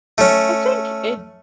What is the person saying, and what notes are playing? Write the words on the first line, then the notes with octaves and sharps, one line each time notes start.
I think it
A3 C#4